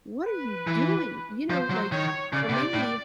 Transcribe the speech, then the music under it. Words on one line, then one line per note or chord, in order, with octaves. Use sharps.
"What are you doing?" You know, like, for me,
B4
E3
F3 C5
F#3
D#3 C#5
C#3 D5
B2
C3
A2